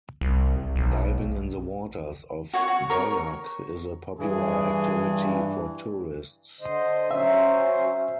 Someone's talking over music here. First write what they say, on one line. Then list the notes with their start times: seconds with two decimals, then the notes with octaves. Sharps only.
Diving in the waters off Biak is a popular activity for tourists.
0.21 C2
0.76 B1
2.53 F#4 C#5 C#6
2.68 F#4
2.90 A#4 C#5 C#6
4.19 G2 E3 G#4
6.61 D3 C5 D#5
7.11 F#3 C#4 C5 E5